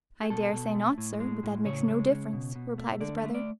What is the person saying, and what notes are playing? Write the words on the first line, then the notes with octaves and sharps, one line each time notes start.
"I dare say not, sir; but that makes no difference," replied his brother.
G#4
B2 A4
B2
A3
A2
G#3
A2
C#3 C#5
G#3
C#3
B2
B2
A3
D3 D5
E5
A3
D5